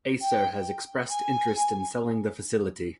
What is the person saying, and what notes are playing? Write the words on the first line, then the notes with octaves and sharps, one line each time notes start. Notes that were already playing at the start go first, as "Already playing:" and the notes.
Acer has expressed interest in selling the facility.
G5
G#5